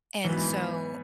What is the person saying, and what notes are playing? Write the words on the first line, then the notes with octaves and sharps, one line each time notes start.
And, so,
G#2 E3 F#3 B3